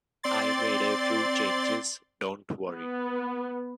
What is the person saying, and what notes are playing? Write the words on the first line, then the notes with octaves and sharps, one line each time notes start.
I made a few changes, don't worry.
C4 D5 C6 A6
B3